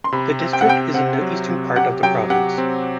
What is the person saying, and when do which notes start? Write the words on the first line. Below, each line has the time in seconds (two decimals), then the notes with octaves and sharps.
The district is in the eastern part of the province.
0.04 C6
0.12 C3 B5
0.40 C4
0.53 G5
0.61 F#5
0.67 C3 G5
0.94 C4 F#5
1.21 F#3
1.49 C3
1.76 G4 F#5
2.03 F#3 G5
2.30 G4 F#5
2.58 C4